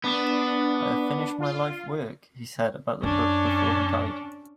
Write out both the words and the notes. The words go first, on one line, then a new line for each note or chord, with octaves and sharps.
"I have finished my life work", he said about the book before he died.
B3 D4
F4
F#2 C#4 D4